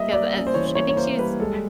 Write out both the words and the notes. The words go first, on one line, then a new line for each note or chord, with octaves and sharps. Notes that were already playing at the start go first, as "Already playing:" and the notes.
'cause as sh I think she's
Already playing: G3 A#3 D#5 E5
A#3 D5
C#4
C5
E3 C#5
C5
A#3 C#5
C#5
A#3 C5
G3 B4
G#3 A4